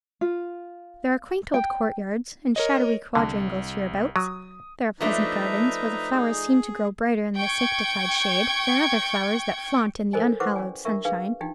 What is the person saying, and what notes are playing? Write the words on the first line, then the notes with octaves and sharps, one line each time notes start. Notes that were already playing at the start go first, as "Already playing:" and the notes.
There are quaint old courtyards, and shadowy quadrangles hereabouts; there are pleasant gardens, where the flowers seem to grow brighter in the sanctified shade than other flowers that flaunt in the unhallowed sunshine.
F4
G5
A#4 C#5 D#5
C2 D3
F#3 D#6
F3 A3 D4 D#4 B4 E5 A#5
G#4
G5 C#6 G#6
A4 A#4 C5 D#5 G#5
E4 B4 C5 F#5 C#6 D6
C#4 F#4 D5 G#5
D4 F4 A#4 E5 C#6
D4 F#4 G#4 B4 F5
D4 D#4 F4 G4 G5